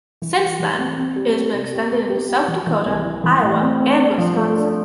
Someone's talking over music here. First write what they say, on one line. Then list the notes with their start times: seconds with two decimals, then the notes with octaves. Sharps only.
Since then, it has been extended into South Dakota, Iowa, and Wisconsin.
0.22 E3
0.41 G3
0.60 E3
0.78 C4
0.97 C4
1.16 G3
1.35 C4
1.54 C3
1.72 G4
1.91 B3
2.10 G4
2.29 G4
2.48 E3
2.67 E3
2.86 C2
3.05 E3
3.24 E3
3.42 A2
3.61 C4
3.80 C4
3.99 D4
4.18 F3
4.37 A3
4.56 D4